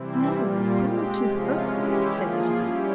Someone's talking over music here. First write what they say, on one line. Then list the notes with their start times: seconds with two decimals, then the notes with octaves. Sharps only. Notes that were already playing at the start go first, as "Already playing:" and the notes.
"No, cruel to her," said Isabel.
Already playing: C3 E3 G3 C4 E4
0.34 A#2 G3 A#3 F4
0.78 G#3 C4 G4
1.24 C3 F3 G#3 C#4 F4
1.69 E3 G#3 C#4 E4 G4
2.14 F3 A#3 F4 G#4
2.58 G3 C#4 E4 G4